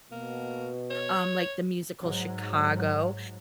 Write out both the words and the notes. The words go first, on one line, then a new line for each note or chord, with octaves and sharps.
Um, like the musical Chicago,
B2 A#3
C#5
G#2 F#3